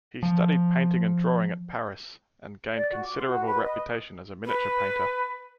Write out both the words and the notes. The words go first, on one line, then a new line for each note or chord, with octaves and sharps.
He studied painting and drawing at Paris, and gained considerable reputation as a miniature-painter.
F3
D5
F#4
D6
C5
F#4
B4
D#5
B4